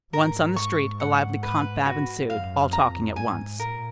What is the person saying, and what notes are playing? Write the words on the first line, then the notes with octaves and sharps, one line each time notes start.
Once on the street a lively confab ensued, all talking at once.
G#2 A#4
C#6
F#5
B4
F#4
F#2 F5
F2 A#5
G#2 G#5
A#2 A#4